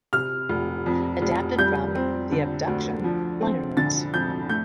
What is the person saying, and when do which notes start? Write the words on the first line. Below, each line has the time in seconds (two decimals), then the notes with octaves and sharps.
Adapted from the "Abduction" liner notes.
0.13 C3 F6
0.49 F1
0.86 F2
1.22 F1
1.58 G3 G6
1.95 C4
2.32 D3
2.68 D2
3.04 F3
3.41 C4
3.77 D3 A6
4.14 F2 G6
4.49 A3 G6